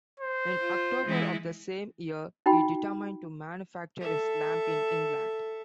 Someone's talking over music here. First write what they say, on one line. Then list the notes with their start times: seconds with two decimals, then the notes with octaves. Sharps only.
In October of the same year, he determined to manufacture his lamp, in England.
0.20 C5
0.60 F4
1.05 E3 G#3 E4
2.46 D#4 F#4 G5 B5
4.01 A4 E5